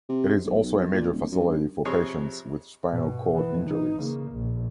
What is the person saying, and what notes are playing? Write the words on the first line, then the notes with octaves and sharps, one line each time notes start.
It is also a major facility for patients with spinal cord injuries.
C3
B1
F#2
A#2
D1
F#2
G2
F2 C3 G#4 C#5 C6
G2 B2
E3 B3
D#4
C#3 A#3
A#1